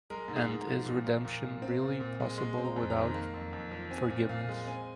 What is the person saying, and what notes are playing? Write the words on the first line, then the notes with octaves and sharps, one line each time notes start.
And is redemption really possible without forgiveness?
G#3 A#4
G#2
G#4
G#2
A#5
F3
A#2
A#3
A#2
A#3
C4
A#2
A#2
G#3
G#3 C6
C4
A#5
F2
A#5
D#3
A#3
F2
F2
F3
C4 G#5
A#2
A#2 F5
G#3
C4 G#5